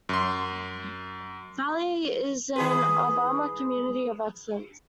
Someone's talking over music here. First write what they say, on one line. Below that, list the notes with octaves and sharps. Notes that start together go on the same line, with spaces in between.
Valley is an "Alabama Community of Excellence".
F#2 C6
D#3 G#4 B4